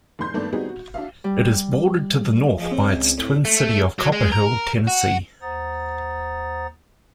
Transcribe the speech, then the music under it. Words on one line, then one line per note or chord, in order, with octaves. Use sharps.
It is bordered to the north by its twin city of Copperhill, Tennessee.
F1 G#2 C6 G6
G2 D#3 A3 B3 D4 D5
G3 B3 C4 D#4 F#4 G#4
F#4
D4 F#4 E5 F5
G3
F3 G#3
A2 C4
C#2
A2
A3
F#3
G#3
A#4
F#4
D#2 C5 F#5 A#5 D#6 A6